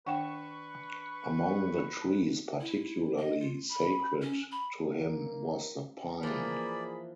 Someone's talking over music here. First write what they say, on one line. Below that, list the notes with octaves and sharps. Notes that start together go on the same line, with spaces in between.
Among the trees particularly sacred to him was the pine.
D#3 D4 B4 F#5 G5 C#6 E7
E4
D#5
F4
B5
C#4
B5
A#3
E3 F3 A#3 G#4 D5 B5